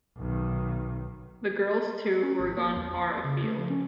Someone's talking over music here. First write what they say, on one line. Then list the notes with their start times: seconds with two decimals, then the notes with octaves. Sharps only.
The girls, too, were gone far afield.
0.16 B1 D#3
2.23 C#4
2.39 G#1
2.57 A#3
2.77 E2
2.94 B5
3.08 D6
3.25 C#3
3.44 A3
3.58 F3
3.70 C#4